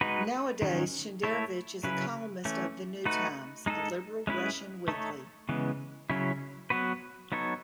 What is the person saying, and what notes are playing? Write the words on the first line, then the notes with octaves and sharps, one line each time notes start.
Nowadays Shenderovich is a columnist of "The New Times", a liberal Russian weekly.
G#3 D#4 F#4 B4
D#3 F#3 C#4
A3 E4 A4 C#5
C#3 F#3 C#4 E4 B4
E3 A3 C#4
A3 D#4 F#4 B4
G#3 D#4 A4
G#3 C#4 E4 G#4 B4
A3 D#4 A4 C#5
C#3 E3 G#3 B3
C#3 F#3 C#4 E4
F#3 B3 F#4 B4
F#3 B3 D#4 A4 C#5